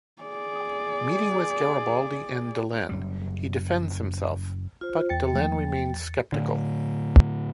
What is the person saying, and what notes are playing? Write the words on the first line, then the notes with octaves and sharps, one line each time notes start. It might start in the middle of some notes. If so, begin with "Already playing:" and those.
Meeting with Garibaldi and Delenn, he defends himself, but Delenn remains skeptical.
G#4 D5
F#1 F#2 G3
F4 C5
E2 G5 A6 C#7
F3 A3 A#3
A2 D3